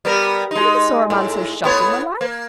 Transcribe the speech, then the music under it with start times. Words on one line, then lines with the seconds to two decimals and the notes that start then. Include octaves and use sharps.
I never saw a man so shot in my life.
0.05 G3 B3 A#4
0.51 G#3 D#4
1.10 A2
1.64 A2 B3 C#5
2.21 A#3